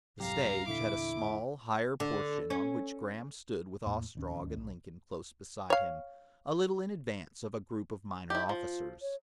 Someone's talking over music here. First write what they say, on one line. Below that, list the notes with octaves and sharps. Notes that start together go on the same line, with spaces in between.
The stage had a small higher portion on which Graham stood with Ostrog and Lincoln close beside him, a little in advance of a group of minor officers.
C2 F2 G#2 F#3 G4 F5 A#5
E2 A#2 D3 E4 D6 B6
D3
C#4
E2 A2 A#3
D1 D#2 C#4
B1
C#5 F5
E4 G4 D#5
F3 F4
C#5